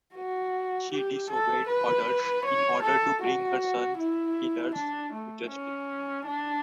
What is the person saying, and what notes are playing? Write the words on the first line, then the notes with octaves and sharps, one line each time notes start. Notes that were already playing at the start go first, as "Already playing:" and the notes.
She disobeyed orders in order to bring her son's killers to justice.
F#4
G4
A4
B4
C#5
A4
F#4
E4
D4
A3
C#4
D4